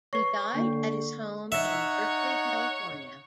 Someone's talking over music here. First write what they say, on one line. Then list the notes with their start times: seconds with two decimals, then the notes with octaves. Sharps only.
He died at his home in Berkeley, California.
0.13 B4 C#5 C#6 C7
0.55 D3 A#3
1.52 D#4 C#5 E5 F#5